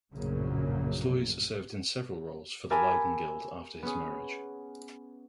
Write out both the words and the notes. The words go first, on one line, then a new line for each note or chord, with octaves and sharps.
Sluys served in several roles for the Leiden guild after his marriage.
A#1 F#2 A2 C#3 F#3 A#3
G4 A#4 E5 G#5 A5 B5
B3 C#4 G#4